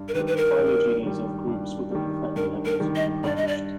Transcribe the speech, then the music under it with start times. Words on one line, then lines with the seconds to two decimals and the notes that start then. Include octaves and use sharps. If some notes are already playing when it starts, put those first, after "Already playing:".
Phylogenies of groups within the family have also been published.
Already playing: G2
0.08 A#4
0.14 D#3 B4
0.19 G3
0.27 B4
0.37 A#4
0.59 G2
1.03 D#3 G3
1.47 G2
1.91 D#3 G3
2.36 G2 A#4
2.65 A#4
2.80 D#3 G3
2.95 D#5
3.24 G2 D5
3.36 D#5
3.48 D5